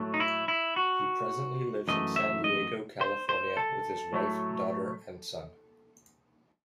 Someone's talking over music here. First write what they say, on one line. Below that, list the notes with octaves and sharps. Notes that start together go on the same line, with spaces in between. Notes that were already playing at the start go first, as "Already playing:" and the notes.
He presently lives in San Diego, California with his wife, daughter, and son.
Already playing: A2 F#3 A3
D#4
E4
E4
F#4
F#2 E3 A3 D#5
E5
D#5
C5
C5
A4
A2 F#3 A3